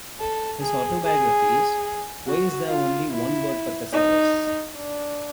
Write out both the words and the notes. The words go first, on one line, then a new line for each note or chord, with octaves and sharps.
His autobiographies, Why Is There Only One Word for Thesaurus?
A4
G#4
G#4
F#4
F4
E4
D#4
D4